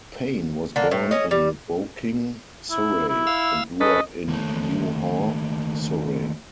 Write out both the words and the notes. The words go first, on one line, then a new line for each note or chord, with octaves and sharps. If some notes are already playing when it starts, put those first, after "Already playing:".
Payne was born in Woking, Surrey, and grew up in New Haw, Surrey.
D3 A#3
A2
C#4 D#5
G3
E4
E4
F5 E6
C#4 A4 B4 D#5
D#2 A3